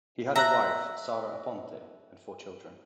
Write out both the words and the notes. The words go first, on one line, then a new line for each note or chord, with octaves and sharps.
He had a wife, Sara Aponte, and four children.
E5 A#5 F#6